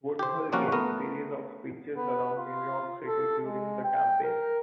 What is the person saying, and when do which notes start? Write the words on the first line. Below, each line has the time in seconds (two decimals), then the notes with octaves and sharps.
Woodhull gave a series of speeches around New York City during the campaign.
0.19 G4 C5
0.52 F3 G3 A#3 C#4 F4 F#4
0.72 A3 B3 A#4
1.97 B3
2.37 F4
3.07 A4
3.45 G#3
3.84 G5
4.23 A#4